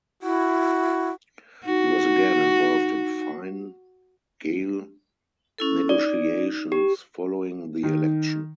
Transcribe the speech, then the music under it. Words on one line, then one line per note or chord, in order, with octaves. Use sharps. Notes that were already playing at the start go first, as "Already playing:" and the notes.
He was again involved in Fine Gael negotiations following the election.
E4 F#4
D#4 F#4
C#4 E4 A4
D#4 D5
G4
D#3